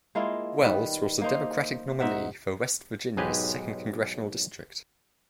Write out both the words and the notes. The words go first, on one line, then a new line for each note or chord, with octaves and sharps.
Wells was the Democratic nominee for West Virginia's Second Congressional District.
G#3 A#3 E4 F4
D#3 G3 B4
A#3 D#4 C5
G#2 D#4 E5 F#5
B1 G#2 G#3 G4 B4 G#5